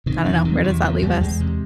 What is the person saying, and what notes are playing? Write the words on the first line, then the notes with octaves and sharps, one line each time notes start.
I don't know, where does that leave us?
C3 D#3
E2 D#3
C3 D#3
E2 E3
C3 F3
E2 G3
E2 G#3
C3